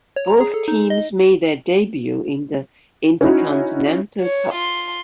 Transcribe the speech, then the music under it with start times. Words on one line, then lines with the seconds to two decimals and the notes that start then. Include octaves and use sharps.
Both teams made their debut in the Intercontinental Cup.
0.16 C#5
0.28 A#5
0.41 G#4
0.54 A4
0.68 D#4
0.90 D#5
3.21 C#4 D#4 E4 F#4
4.21 C#5
4.53 F4 C6